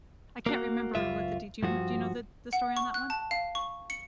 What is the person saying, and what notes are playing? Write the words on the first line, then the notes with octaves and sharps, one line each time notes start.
I can't remember what the de do you rem do you know the the story on that one?
A#3 F#4
C#2 F#2 F4 E5
G2 F3 F#4
F#5
C#6
F#6
A5
F5
C#6
C#7